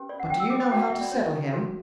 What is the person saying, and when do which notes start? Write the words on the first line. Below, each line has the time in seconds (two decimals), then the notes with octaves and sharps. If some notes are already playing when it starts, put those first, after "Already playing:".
'But do you know how to settle him?
Already playing: C#4 G4 B4
0.09 D5
0.20 F#5
0.30 G5
0.40 E6
0.50 D6
0.60 D6
0.71 F#4 C#5 G5
0.81 F#5
0.91 E5
1.01 D5
1.12 C#5
1.53 F#4 C#5